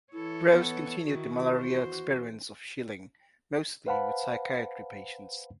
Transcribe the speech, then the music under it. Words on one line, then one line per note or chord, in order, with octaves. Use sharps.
Rose continued the Malaria-experiments of Schilling, mostly with psychiatry patients.
E3 E4 A4 C#5
B3
D#3 E4 F#4
E2 C5
B4 C5 F5 F#5 A5 B5